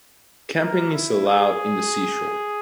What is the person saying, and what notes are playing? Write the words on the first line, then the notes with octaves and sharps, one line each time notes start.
Camping is allowed in the seashore.
A#4
E4
G#4